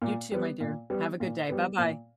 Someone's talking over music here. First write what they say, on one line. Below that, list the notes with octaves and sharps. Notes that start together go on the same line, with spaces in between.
You too, my dear. Have a good day. Bye-bye.
A#2
G3 B3
A#2
G3 B3
A#2
G3 B3
A#2